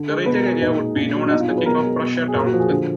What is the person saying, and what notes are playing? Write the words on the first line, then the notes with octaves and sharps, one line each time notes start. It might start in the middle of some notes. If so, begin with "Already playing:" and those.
The retail area would be known as the King of Prussia Town Center.
Already playing: D3
G#3
B2 B4
A#4
G#3 G#4
F#4
A#2 D#4
G#3
A#2 D4
F#3
D4
B2 D#4
F4
F#3 G#4
B4
B2 A#4
G#3
B2
F#3
G#4
A#2 A#4
F#4
F3
G#4
D3